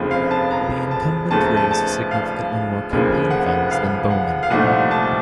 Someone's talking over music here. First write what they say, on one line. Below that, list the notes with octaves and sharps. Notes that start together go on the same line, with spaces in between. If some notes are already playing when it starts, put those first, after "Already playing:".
The incumbent raised significantly more campaign funds than Bowman.
Already playing: F1 D#2 C#3 F3 C4
F5
A5
A#5
A5
D#2 C#3 F3 A3 A5
A#5
A5
A5
F5
F1 D#2 C#3 F3 A#3
F#5
F5
F#5
F5
C2 A#2 F3 A3 D#4 F#5
A5